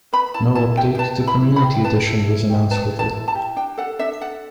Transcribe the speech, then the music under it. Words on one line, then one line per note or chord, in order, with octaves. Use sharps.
No update to the community edition was announced with it.
B4 B5
E4 A5
E4 A5
G4 G5
G5
B4 A5
E4
B5
E4
B5
G4
G5
B4 A5
E4
E4
G4
B4 A5
E4
A5
E4
A5
G4
D4 G5
A4 F#5
D4 E5
A4 F#5